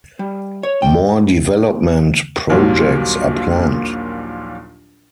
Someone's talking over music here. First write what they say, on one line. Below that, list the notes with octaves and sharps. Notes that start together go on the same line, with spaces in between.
More development projects are planned.
G3
C#5
G5
A#1 D#2 A#2 F#3 G3